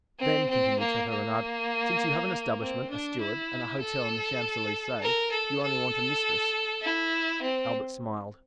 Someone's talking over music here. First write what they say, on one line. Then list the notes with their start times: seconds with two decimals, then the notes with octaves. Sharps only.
"Then," continued Chateau-Renaud, "since you have an establishment, a steward, and a hotel in the Champs Elysees, you only want a mistress." Albert smiled.
0.19 C4
0.49 C4
0.79 A#3
1.09 A#3
2.60 C4
2.90 D4
3.20 E4
3.81 A4
5.02 A#4
5.31 A4
5.62 A4
6.82 E4
7.42 C4